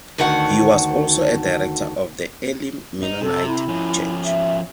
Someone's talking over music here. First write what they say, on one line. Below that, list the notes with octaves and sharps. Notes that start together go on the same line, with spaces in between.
He was also a director of the Elim Mennonite Church.
D2 D3 D#3 F#4 F#5
D#4
C3 A4
E4
F3 C#4
E5